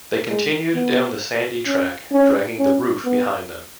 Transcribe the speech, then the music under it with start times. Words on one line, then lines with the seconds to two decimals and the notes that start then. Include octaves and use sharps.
They continued down the sandy track dragging the roof behind them.
0.29 G#3
0.75 B3
1.66 C#4
2.13 C#4
2.59 C#4
3.05 B3